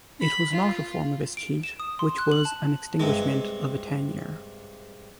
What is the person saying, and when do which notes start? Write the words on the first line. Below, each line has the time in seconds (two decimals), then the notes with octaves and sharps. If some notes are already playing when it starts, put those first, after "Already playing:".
It was not a form of escheat, which was an extinguishment of a tenure.
0.21 B5
0.52 F4
1.37 D7
1.63 E7
1.80 D#6
1.99 C6
2.19 F#6
2.32 F#7
2.45 A5
3.00 G2 C3 G#3